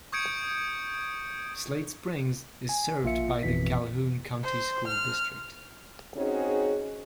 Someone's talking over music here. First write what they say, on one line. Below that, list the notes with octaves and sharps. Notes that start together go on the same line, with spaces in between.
Slate Springs is served by the Calhoun County School District.
C#6 D#6 G6 G#6 C#7 D7
G#5
A#1 A#3 F4 E5 C#7
A1 F2 B2 E3 B6
C5
F6
C4 C#4 D#4 F#4 G#4